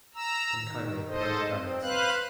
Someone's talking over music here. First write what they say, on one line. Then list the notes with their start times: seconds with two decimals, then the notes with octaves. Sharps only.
"Then kindly put on your diving suits."
0.14 A#5 E6
0.59 D#3
1.08 G#2 A4 C5 D#5
1.50 C4
1.82 B4 C5 F5 F#6